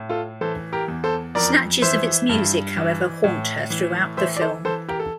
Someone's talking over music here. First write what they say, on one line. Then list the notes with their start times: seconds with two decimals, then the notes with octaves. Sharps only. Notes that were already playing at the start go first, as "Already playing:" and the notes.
Snatches of its music, however, haunt her throughout the film.
Already playing: A2
0.09 F4 A4
0.41 E3 A4 C5
0.73 G4 A#4
0.88 E2
1.04 A4 C5
1.35 F2 A#4 D5
1.82 E3 C5 E5
2.29 G2
2.76 E3
3.24 A2
3.70 E3
4.17 E3 C5 E5
4.37 D5
4.41 A4 C5
4.65 E3 A4 C5
4.89 G4 A#4
5.00 A4